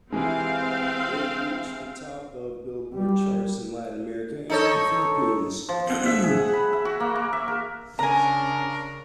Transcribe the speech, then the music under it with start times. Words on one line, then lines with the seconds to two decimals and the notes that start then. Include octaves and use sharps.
It reached the top of Billboard charts in Latin America and the Philippines.
0.12 C3 E3 G#3 C4 F5
2.94 G3
4.50 D#4 A4 C#5
5.69 F3
5.90 F#5
6.06 E5
6.24 G#4
6.37 F#5
6.53 B5
6.73 E5
6.85 F#4
7.00 A#3
7.15 A#3
7.33 E5
7.48 A#4
7.99 C#3 D4 A#4 G#5 A#5